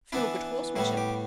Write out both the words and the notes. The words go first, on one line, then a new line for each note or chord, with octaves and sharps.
"For your good horsemanship."
E3 B3 D4 E4
A2 G3 B3 E4
G4